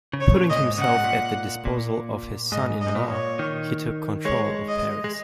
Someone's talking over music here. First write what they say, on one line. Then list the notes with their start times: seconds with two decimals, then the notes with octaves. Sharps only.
Putting himself at the disposal of his son-in-law, he took control of Paris.
0.13 C#3
0.21 C#5
0.35 A#2
0.50 A#2 D#5
0.57 G#2
0.78 C#3 F#5
0.87 A#2
0.95 G#2
1.04 A#2
1.65 A#2
2.52 G#2 D#5
2.81 D#5
2.87 G#2
2.95 A#2
3.09 C#5
3.39 D#3
4.25 G#3 C#5
4.68 D#5
5.04 G#3